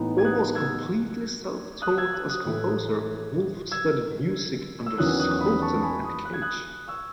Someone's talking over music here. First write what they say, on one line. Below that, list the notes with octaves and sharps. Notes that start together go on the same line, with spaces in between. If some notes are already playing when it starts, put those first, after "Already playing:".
Almost completely self-taught as composer, Wolff studied music under Sultan and Cage.
Already playing: A2 E3 B3 D#4
G#6
D#6 F#6
E6 G#6
D#6 F#6
E6 G#6
D#6 F#6
D#6 F#6
A2 E3 A3 E4
E6 G#6
E6
E2 D#3 F#3 C#4 E4 D#6 F#6
D#6 F#6
B5 D#6
A5 C#6
G#5 B5
B5 D#6
F#6
G#6
D#6 F#6
C#6 E6